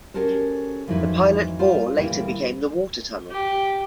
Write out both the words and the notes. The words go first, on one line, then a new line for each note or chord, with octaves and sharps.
The pilot bore later became the water tunnel.
C#4 F#4 G4 A4 A#4 C5
F2 G#2 E3 F#3 D#4 B4
G3 F4 C5 F5
D2 A#2 E3 G3 G5
G4